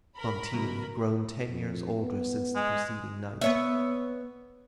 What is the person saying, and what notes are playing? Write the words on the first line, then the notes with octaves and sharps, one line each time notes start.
Fantine had grown ten years older since the preceding night.
A#4 B5
C#2 F#2 B2
F2
B3
G#3
B3 C#5 E5